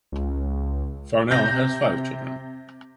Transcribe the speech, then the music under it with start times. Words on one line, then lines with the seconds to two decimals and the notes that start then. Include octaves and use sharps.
Farnell has five children.
0.12 C#2
1.30 C3 G6 A#6